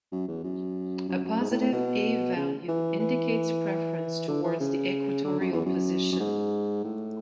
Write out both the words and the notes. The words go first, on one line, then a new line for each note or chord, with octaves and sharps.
A positive A value indicates preference towards the equatorial position.
F#2
E2
F#2
F#2
F#2
G#2
A2
A2
B2
C#3
E3
E3
D3
E3
C#3
D3
F#2
E2
F#2
F#2
G#2
A2